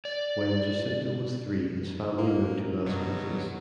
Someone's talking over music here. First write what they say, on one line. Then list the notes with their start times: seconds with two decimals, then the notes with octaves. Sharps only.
When Jacinto was three his family moved to Las Cruces.
0.05 D5
2.18 A#3
2.86 G2 B2 F#3